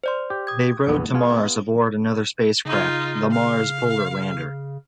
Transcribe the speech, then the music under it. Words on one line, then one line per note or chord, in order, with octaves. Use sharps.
They rode to Mars aboard another spacecraft, the Mars Polar Lander.
C5 D5 C6
G4
D#6 G#6
A#1 E2 B3
B3 F4 G#4
C#3 D#4 F4
F5